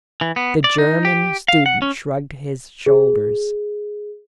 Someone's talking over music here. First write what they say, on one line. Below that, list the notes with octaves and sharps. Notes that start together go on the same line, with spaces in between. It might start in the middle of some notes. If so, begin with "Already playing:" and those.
The German student shrugged his shoulders.
E3
B3
D5
D#4
G4
F5
F#5
C#4
G#4